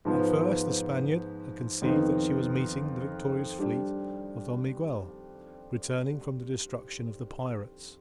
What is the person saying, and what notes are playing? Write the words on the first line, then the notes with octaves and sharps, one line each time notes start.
At first the Spaniard had conceived that she was meeting the victorious fleet of Don Miguel, returning from the destruction of the pirates.
G#2 F3 B3
F2 D#3 B3 D#4
G3 D4 G4 D5